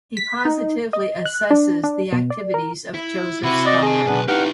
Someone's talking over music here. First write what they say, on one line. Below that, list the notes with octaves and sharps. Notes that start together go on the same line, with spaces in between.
He positively assesses the activities of Joseph Stalin.
B6
D#4
D#5
F#6
D4
D4
B2
D5
A#4
E4
C3 E4 F#4 G4
D5 D#5
G#4 D#5 A5 D#6
B1 G#2 B3 D4 B4
G2 D#4 E4 G4 F#5 F6